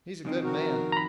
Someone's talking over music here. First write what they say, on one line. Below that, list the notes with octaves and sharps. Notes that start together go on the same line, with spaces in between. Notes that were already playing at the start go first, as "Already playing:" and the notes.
He's a good man.
F2 D#3 C4
F#4 A#4
A#5 B5